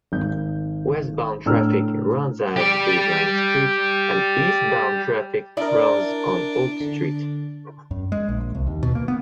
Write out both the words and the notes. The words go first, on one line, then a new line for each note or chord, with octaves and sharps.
Westbound traffic runs as Baseline Street and eastbound traffic runs on Oak Street.
G#1 G6
A2 D4 A#5 E6 F6
G4 D5
D4 E4 A#4 D5
D3
F#2
G#3
A#1
C2
D#2
B2
A#3
B3